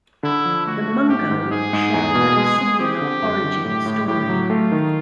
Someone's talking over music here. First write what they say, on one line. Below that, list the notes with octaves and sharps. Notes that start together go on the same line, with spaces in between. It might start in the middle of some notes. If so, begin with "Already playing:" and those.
The Mungo share no singular origin story.
D3 E4
F3
A3 F#4
A3
G#2 G4
G#2
G#2 G#4
G#2
E2
B2
G#3
G#3
C4 G4
D3
F#2
D3
A2
A2
A2 G4
F#3
A3 F4
D#3